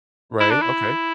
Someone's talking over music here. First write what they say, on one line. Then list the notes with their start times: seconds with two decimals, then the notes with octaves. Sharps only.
Right, okay.
0.40 E4
0.51 D4
0.61 E4